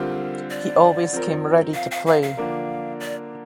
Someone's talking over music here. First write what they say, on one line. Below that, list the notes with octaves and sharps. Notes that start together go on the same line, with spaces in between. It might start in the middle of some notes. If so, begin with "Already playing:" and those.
He always came ready to play.
Already playing: D3 G3 C4 F4 A#4
D5
F3 C4 A#4
F5
F5
F5
F5
D3 F3 A#3 D4 A#4
D5